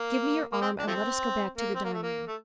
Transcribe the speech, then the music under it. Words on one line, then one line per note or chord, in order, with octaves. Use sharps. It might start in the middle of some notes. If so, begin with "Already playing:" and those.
Give me your arm and let us go back to the dining-room.
Already playing: A#3
A#3
C4
D4
F3 A3 C4
A#3
C4
A#3
A3
A#3
A3